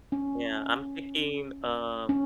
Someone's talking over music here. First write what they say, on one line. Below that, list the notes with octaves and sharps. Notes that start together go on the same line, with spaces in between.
Yeah, I'm thinking uh
C#4
C#4